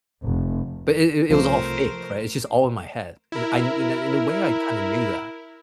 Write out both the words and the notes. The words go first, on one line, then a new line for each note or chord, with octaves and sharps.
But it it it was all fake. Right? It's just all in my head. And I and and in a way, I kinda knew that.
F1
C2 C3 F3 A3 A#4 C5
E4 A#4